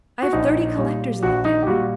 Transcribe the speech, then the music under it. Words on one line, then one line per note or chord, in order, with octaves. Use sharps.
I have thirty collectors in the family.
F#4
A#1 D#4
A#2 G3
A#1 F#4
D#4
G4
A#2 G3 F#4